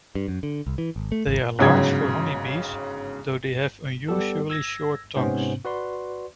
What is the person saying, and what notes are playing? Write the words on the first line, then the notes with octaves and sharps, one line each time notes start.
They are large for honey bees though they have unusually short tongues.
G2
F#2
D3
C2
E3
G#1
A3
G#1
G1 G#2 C#3 F#3 G5 G#6
G3 B3 G4 A4
E6 G#6 A#6
G#2 C3 B3 C#4 C5
F#4 B4 D5 C6